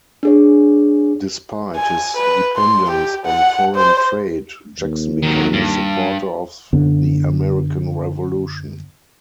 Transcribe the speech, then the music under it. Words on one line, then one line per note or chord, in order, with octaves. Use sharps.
Despite his dependence on foreign trade, Jackson became a supporter of the American Revolution.
D4 G#4 C#5
G#5
B4
C6
G4
F#5
C5
D#2
D#3 F#3
G2
F#2 D3 B3